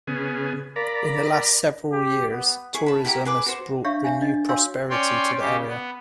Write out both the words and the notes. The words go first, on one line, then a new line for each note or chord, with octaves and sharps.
In the last several years, tourism has brought renewed prosperity to the area.
C#3 B3 G#4
A#3 D5 A#5 B5
G4
B3
E4 G#4 C#6
A5 B5
E4 F#4 G4 A#5
G#4 B4 D6
F#4 C5
D4 C#5 E5 F5 C#6
C#5 E5 F5 G#5
D4 D#5
F#4 C#5 F5 G#5 C6 E6
C#4 C#5 D5 G5 C6
C#3 G4
B3